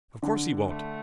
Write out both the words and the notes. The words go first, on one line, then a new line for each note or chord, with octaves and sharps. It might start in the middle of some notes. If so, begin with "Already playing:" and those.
Of course he won't.
D3
A3